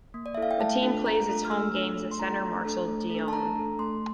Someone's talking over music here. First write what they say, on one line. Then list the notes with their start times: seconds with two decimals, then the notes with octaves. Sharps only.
The team plays its home games at Centre Marcel Dionne.
0.14 A#3
0.26 D5
0.35 E4 A4 E5
0.42 F5
0.51 G5
0.59 A3 A5
0.82 D4 F4 A4
1.05 A3 A#5
1.28 D4 F4 A4
1.45 F6
1.51 A3 E6
1.74 D4 F4 A4
1.96 A3
2.11 C6
2.20 D4 F4 A4 A#5
2.42 A3
2.65 D4 A4
2.88 A3
3.10 D4 A4
3.28 A5
3.33 A3 A#5
3.56 D4 A4
3.79 A3 C6